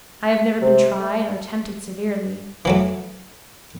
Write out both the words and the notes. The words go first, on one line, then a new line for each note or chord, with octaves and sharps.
I have never been tried or tempted severely.
C3
A3
E3 F#3 A3